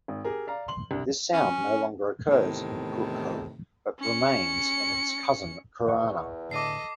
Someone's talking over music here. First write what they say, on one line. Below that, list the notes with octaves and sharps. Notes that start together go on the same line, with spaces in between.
This sound no longer occurs in Khoekhoe but remains in its cousin Korana.
G#1
G4 G#4 A#4
D5 F5 A#5
C6 F#7
C2 D3
C#4
E2 A2 C3 D#3
C#4 C#7
E2 D#5 F#5 C#6
A2 D3 A4 D#5 D6 C7